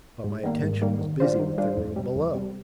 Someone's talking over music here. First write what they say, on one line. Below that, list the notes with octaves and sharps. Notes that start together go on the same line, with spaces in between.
But my attention was busy with the room below.
G#2
D#3 G3 A#3
G#2
D#3 G3 A#3
D#3
G3 D4 F4 C5
D#3
G3 D4 F4 C5
F2
C3 G3
F2
C3 G3